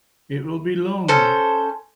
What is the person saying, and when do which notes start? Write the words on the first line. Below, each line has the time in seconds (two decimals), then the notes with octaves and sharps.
It will be long.
1.08 C#4 A4 C5